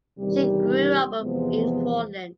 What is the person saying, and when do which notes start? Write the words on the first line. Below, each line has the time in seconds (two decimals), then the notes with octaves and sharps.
She grew up in Portland.
0.18 E2 C3 D#3 G3
1.20 E2 C3 F3 G#3 B3